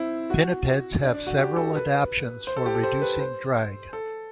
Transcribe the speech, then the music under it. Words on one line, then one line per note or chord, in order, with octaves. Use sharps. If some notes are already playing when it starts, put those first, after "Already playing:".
Pinnipeds have several adaptions for reducing drag.
Already playing: C4 E4
F#4
D4
D4
F#4
G4
A4
B4
C5
A4
G4
A4
C5
B4
C5
A4